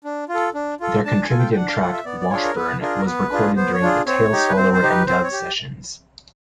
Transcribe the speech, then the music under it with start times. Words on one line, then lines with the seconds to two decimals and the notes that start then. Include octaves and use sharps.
Their contributed track "Washburn" was recorded during the "Tail Swallower and Dove" sessions.
0.04 D4
0.29 F4
0.34 A4
0.55 D4
0.80 F4 A4
1.05 D4 A5
1.22 G#5
1.30 F4 A4
1.39 G5
1.51 G5
1.56 D4 F#5
1.68 F5
1.80 F4 A4 F#5
1.93 E5
2.05 B3 D5
2.20 D5
2.30 D4 F4 G#4 C#5
2.44 A#4
2.55 B3 B4
2.81 D4 F4 G#4 A#4
2.98 A#4
3.06 B3 B4
3.31 D4 F4 G#4
3.56 B3 C5
3.74 C#5
3.82 D4 F4 G#4
4.06 C4 C#5
4.32 D#4 G4
4.49 B4
4.57 C4 C5
4.74 C5
4.83 D#4 G4
4.90 B4
5.06 C4 C5
5.24 C#5
5.32 G4